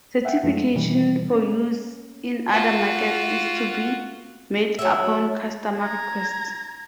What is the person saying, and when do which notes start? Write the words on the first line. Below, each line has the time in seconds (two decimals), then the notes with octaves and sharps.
Certification for use in other markets is to be made upon customer request.
0.25 E5 F#5 G5
0.43 F#2 F3 G#3 A3
0.75 B2 D#3 E3 G3
1.33 C#4
2.50 F4 F#4
4.79 F#3 E4
5.77 A#5 G#6